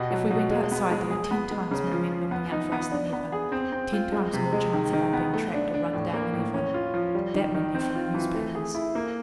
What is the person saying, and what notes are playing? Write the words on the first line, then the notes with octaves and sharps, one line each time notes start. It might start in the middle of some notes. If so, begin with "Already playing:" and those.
If we went outside there were ten times more men looking out for us than ever, ten times more chance of our being tracked or run down than ever. That we knew from the newspapers.
Already playing: B2 G4
F#3
B2
G#3
B3
G#3
G#4
B3
G#3
C#3
F3
F3
B3
D#4
B3
D4
B3
G#4
C4
C4
F4
G#3
C3
G#3
D#3
D#3
B3
A3
D4
D4
A2
A#3
A2
C#4
F4
F3
G3
D#3
D#3
C4
F4
E3
A3
G#4
E4
A#3